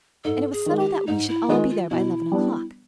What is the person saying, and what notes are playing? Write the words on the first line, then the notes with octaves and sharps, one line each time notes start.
And it was settled that we should all be there by eleven o'clock.
G#2 A4
G#4
D#3 G#3
G4
G#2 D#4
E4
D#3 G#3 F4
F4
B2 E4
G3 B3 D4